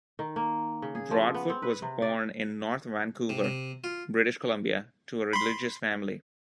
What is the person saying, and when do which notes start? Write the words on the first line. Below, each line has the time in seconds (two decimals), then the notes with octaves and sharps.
Broadfoot was born in North Vancouver, British Columbia to a religious family.
0.19 D#3
0.36 A#3
0.82 C#3
0.95 G#4
1.11 F3
1.34 B3
1.50 C4
1.62 B4
1.82 C3
2.02 D5
3.30 C3
3.44 C3
3.84 F4
5.33 B5 C6